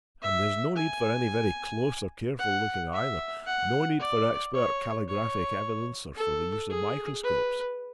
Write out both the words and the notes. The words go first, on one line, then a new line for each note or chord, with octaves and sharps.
And--there's no need for any very close or careful looking, either!--no need for expert calligraphic evidence, or for the use of microscopes.
E5
G#5
F#5
E5
F#5
D5
C#5
C#5
A4
G#4
B4